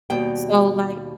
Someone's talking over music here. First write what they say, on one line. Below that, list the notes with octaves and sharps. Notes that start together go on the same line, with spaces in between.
so like
D#2 B2 G3 G5